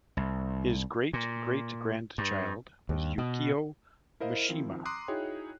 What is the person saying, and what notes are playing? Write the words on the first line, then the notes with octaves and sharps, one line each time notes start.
His great-great-grandchild was Yukio Mishima.
C2
A#2
G2
D#2
B2
E4 A#4 C5 D#5 F5
D#3 F3 C4 E4
A#5 C6 D6 D#6 F#6 C7
D#4 E4 F#4 G#4 C#5 G5